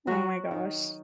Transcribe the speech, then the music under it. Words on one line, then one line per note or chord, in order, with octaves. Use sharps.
Oh my gosh.
F#3 F#4
D#3